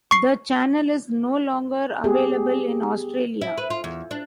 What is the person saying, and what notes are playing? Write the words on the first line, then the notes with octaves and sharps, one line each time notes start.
The channel is no longer available in Australia.
C#6 C7
B3 G4 G#4
E4
B4
F4
E2
D4